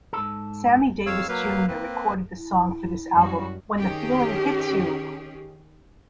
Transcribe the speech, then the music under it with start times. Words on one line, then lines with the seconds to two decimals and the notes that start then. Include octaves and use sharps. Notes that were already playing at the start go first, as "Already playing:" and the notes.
Sammy Davis, Junior recorded the song for this album When the Feeling Hits You!
0.13 G#2 A4
1.06 F2 C#5 F5 E6
1.28 F#3 A#3 B4 F5
1.68 A#3 C4 B4
2.35 E4
3.10 F#2 G3 F#4
3.76 D#3 C#4 G4 G#4